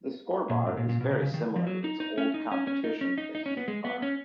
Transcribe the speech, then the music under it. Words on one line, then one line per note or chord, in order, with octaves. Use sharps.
The Skor bar is very similar to its old competition the Heath Bar.
A#2
G#2
A#2
A#2
B2
C#3
C#3
D#3
F3
F#3
D#4
D#4
C#4
D#4
C#4
C#4
D#4
C#4
D#4
D#4
C#4
B3
G#3
B3
C#4